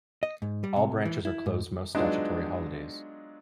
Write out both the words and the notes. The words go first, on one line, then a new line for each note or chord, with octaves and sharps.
All branches are closed most statutory holidays.
D#5
G#2
G3
C3
E3
E4
G#2
F#3 G#3 B3 D4 D#4 F4